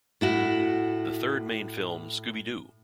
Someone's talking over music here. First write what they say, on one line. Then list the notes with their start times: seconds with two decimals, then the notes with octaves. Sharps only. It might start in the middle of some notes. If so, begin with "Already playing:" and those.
The third main film Scooby-Doo!
0.21 A2 E4 F#4